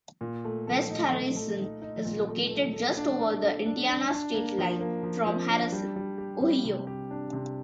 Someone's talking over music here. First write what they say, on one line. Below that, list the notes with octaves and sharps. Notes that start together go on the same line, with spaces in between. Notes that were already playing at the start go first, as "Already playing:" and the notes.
West Harrison is located just over the Indiana state line from Harrison, Ohio.
A#2
A3
A4
D#4
A3
A3
D#4
D#4
A#2
A3
A4
A4
D4
A4
A4
D4
D4
D4
A#3
F3
A#3
F3
F3
D4
G3
G3
G4
G3
C3
G4
D4
C3